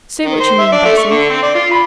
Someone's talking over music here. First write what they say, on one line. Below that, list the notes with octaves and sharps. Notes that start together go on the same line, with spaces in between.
"Say what you mean, Bessy."
D#3
C5
E5
D4
A3
C#6
D3
C4
D5
F4
B5